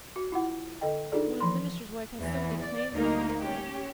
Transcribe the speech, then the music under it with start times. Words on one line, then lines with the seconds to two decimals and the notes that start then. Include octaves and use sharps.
When a minister's wife has so many claims on her time!
0.16 F#4
0.32 E4 F4 F#5
0.81 D3 A4 D#5 G5
1.12 D4 D#4 F4 G#4 A4 D5
1.40 E3 F3 B5 C6
2.20 E2 E3
2.61 D5
2.94 D2 A#3 D#4 A#4
3.39 C#4 G4